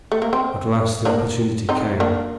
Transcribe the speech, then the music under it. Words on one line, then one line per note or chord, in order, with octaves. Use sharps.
At last the opportunity came.
A3
A#3
C4
A#3 D4
C4 D#4
A#3 D4